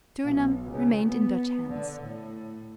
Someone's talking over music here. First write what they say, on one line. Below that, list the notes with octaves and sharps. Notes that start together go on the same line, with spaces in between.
Surinam remained in Dutch hands.
B1
C#2
B3
D3
A2